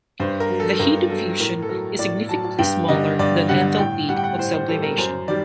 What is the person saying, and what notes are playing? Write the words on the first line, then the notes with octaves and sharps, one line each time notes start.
The heat of fusion is significantly smaller than enthalpy of sublimation.
G2 C5
A#4
F#3
A4
G2 A#4
F#3 A4
A2 A#4
A4
F#3 A#4
A2 D5
F#3 A5
G2 G5
D3 G3 D#5
G2 D5
D3 G3 F#5
A2 G5
G3 F#5
G5
F#5
A2 C5
C5
G3 A4
A#4
F#2 C5
D#3 G3 D5